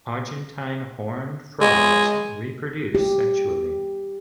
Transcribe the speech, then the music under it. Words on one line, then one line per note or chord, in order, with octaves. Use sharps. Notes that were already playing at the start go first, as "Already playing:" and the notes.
Argentine Horned frogs reproduce sexually.
G#3
G4